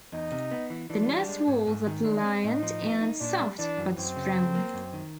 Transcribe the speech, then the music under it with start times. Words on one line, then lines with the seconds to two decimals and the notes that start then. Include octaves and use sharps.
The nest walls are pliant and soft but strong.
0.12 E2 D#4
0.32 C3
0.51 B3
0.70 E3
0.90 E3 D4
1.09 G3
1.29 G#3
1.47 G#2
1.67 G#2
1.87 D#3
2.05 G#3 D4
2.24 C4
2.44 A2 D#4
2.63 F3
2.82 B3
3.01 D#4
3.20 A#2 D4
3.40 G3
3.59 E3 D4
3.77 F#2
3.97 F#2 C4
4.16 C#3
4.35 F#3
4.55 A#3
4.74 F#2
4.93 D#3